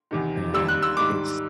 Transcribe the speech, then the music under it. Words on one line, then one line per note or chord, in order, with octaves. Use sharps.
and it's
E2 C3 D#3
D#2 D#3 G3 E6
F#6
E6
G#2 D#3 G3 D6